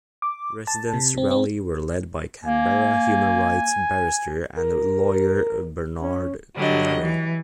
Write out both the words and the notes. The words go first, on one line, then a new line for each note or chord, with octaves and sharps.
Residents Rally were led by Canberra human rights barrister and lawyer, Bernard Collaery.
D6
A5
C3
C4
C4
A#3 G#5
A#4
C#4
D3 F#3 G3 D#5
E3